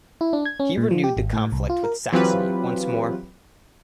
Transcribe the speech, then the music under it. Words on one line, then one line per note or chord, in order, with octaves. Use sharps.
He renewed the conflict with Saxony once more.
E4
D4
G#6
C#4
A#2
F3
G4
G#1
A2
C2
F4
A#4
E3 F#3 C4 F4 G4 B4